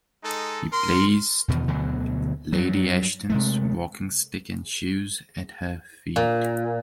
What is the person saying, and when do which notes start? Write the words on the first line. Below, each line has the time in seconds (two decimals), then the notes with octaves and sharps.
He placed Lady Ashton's walking stick and shoes at her feet.
0.23 G#3 D#4 A4
0.72 A#4 C6
1.48 E2 B2 D#3
1.67 D2 B2 D3 F#3
2.53 G2 F#3
3.30 C3 G#3 A3
6.16 A#2